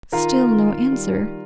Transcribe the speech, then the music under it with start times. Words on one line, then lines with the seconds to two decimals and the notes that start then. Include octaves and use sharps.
Still no answer.
0.12 D#3 F4 A#4
0.53 D#3
0.92 G3